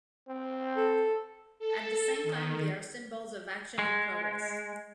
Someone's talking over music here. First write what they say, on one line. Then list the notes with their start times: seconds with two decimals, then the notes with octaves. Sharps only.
At the same time, they are symbols of action and progress.
0.28 C4
0.77 A4
1.59 A4
2.24 D#3
3.79 G#3